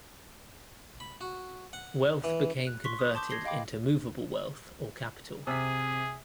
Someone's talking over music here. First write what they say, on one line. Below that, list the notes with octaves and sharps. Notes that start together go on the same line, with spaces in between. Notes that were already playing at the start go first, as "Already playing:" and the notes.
Wealth became converted into movable wealth or capital.
B5
F#4
F#5
E3
F#6
C6 C#6 B6
D#6
A5 C6 D6 G6
G#6 A#6 C7 G7
D#5 F5 G5 B5 D6
C3 G#4 B6